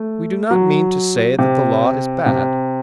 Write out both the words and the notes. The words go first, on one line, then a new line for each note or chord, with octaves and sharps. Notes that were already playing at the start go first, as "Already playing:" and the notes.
We do not mean to say that the Law is bad.
Already playing: A3
F#3
C3
C3